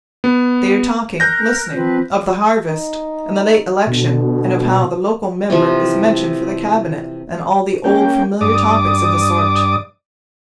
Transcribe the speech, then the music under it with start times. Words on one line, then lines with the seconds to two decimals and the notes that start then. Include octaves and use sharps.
They are talking,--listen,--of the harvest, and the late election, and of how the local member is mentioned for the cabinet and all the old familiar topics of the sort.
0.24 B3
1.20 A#4 F#6 G6 A#6
1.75 F3 C4 B4
2.68 D#4
3.87 B2 D3
5.50 C3 E3 F3
7.84 A#3 C#4 G5
8.41 G2 D5 D6 D#6